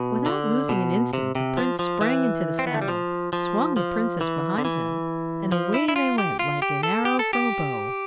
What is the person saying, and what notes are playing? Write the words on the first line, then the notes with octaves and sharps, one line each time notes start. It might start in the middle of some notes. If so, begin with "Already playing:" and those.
Without losing an instant the prince sprang into the saddle, swung the princess behind him, and away they went like an arrow from a bow.
Already playing: B2
D3
B2
C3
C3
F3
F3
E3
C4
B3
A3
G3
F3
F3
F3
E3
D3
E3
F3
E4
E4
F4
G4
F4
G4
A4
G4
A4
G4